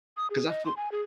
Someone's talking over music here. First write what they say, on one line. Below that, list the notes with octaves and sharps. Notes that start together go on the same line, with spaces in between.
'Cause I feel
D#6
G#4
D#5
C6
G#5
G#4